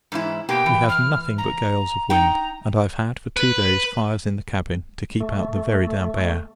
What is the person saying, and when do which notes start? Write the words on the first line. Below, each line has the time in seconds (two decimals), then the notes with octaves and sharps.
We have nothing but gales of wind; and I have had, for two days, fires in the cabin, to keep out the very damp air.
0.12 G#2 E3 E4
0.49 B2 A#3 G4 G5
0.66 E3
0.89 F6
1.38 A#5
2.10 D#4 G5 A#5
3.37 B4
5.21 A3